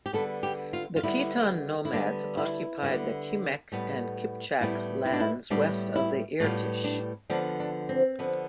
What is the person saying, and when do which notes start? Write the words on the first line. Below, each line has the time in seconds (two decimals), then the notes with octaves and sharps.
The Khitan nomads occupied the Kimek and Kipchak lands west of the Irtysh.
0.06 G4
0.13 D3 G3 B3 A4
0.43 G4
0.73 F4
0.96 F4
1.03 D3 G3 B3 E4
1.85 E4
1.92 D3 G3 B3 D4
2.37 E4
2.82 D3 G3 B3
3.72 A2 G3 B3
4.61 A2 G3 B3 E4
5.05 E4
5.13 D4
5.20 E4
5.50 A2 G3 B3 D4
5.96 E4
6.40 A2 G3 B3 F4
6.84 D4
7.30 D3 F3 B3 D4
7.60 D4
7.89 C4
8.19 D3 F3 B3